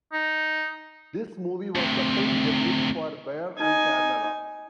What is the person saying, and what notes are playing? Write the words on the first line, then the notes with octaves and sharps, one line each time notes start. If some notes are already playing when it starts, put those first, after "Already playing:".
This movie was the film debut for Baer and Carnera.
D#4
D2 C3
D#4 G#5